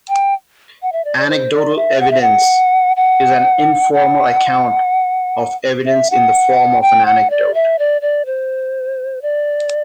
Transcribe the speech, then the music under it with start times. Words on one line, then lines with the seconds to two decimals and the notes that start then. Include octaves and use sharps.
Anecdotal evidence is an informal account of evidence in the form of an anecdote.
0.09 G5
0.82 F#5
0.92 E5
1.05 D5
1.18 D5
1.29 C5
1.53 D5
1.76 E5
2.00 F#5
2.11 E5
2.21 F#5
2.96 F#5
3.93 F#5
5.86 E5
6.10 F#5
6.81 G5
7.06 F#5
7.30 D5
7.54 E5
7.79 D5
8.02 D5
8.26 C5
9.22 D5